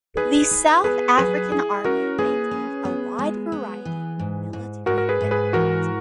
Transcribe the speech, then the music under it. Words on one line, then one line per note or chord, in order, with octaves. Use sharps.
The South African Army maintains a wide variety of military equipment.
D#4 G#4 B4
D#4
B3 G#4 B4
F#3 G#4 B4
E4 G#4
C#4 F#4 A#4
A#3 G#4 B4
C#4
B3
G#3
B3
E3
G#2
G#2
G#2 F#4 A#4
A#4
G#4 B4
G#2
G#4 B4
E3 F#4 A#4